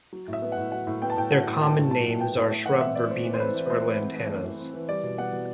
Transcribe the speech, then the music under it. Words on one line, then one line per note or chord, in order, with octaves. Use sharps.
Their common names are shrub verbenas or lantanas.
F#3
A2
E5
B3
F#5
A2
F#3 F#5
A2
B3 G5
A5
A2 G5
F#3 F#5
A2
B3 A5
A2
F#3 A5
A2
B3 G5
A2
A3
E3 F#5
C4 E5
E3 D5
A3 C5
E3
C5
C4 B4
E3
A3 C5
E3
C4
E3
A3
E3
C4
E3
G3 D5
B2
B3 F#5
B2